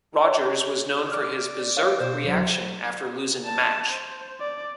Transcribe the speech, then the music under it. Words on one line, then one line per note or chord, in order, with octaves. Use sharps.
Rogers was known for his berserk reaction after losing a match.
C#5
D5 D6 F6
C#5 F5
B2 C5
D2 F#3
A5
C5
D5